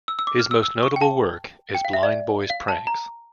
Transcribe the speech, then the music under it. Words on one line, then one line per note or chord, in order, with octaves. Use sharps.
His most notable work is "Blind Boy's Pranks".
E6
E6
D6
F6
E6
E6
C#6
G5
A5
G5
F5
E5
D5
F5
A5
A#5